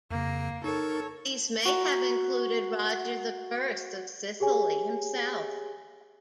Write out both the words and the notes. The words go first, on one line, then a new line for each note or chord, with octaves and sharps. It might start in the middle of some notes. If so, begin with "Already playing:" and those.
These may have included Roger the First of Sicily, himself.
F2 C#3 A#3
D#4 A4 A#4 C#5
F#4 A#5
G4 G#4 C#5 G#5